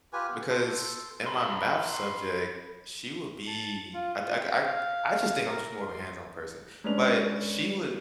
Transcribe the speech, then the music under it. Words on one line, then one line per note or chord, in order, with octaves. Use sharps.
because in my math subject, she would be I th I I just think I'm just more of a hands-on person, but she would
F4 G4 B4 G#5
B3
A4 C6
B5 C6
A5
F4
F4
G5
F5
A#4
C6
G#3 C#4 D4 B4 F7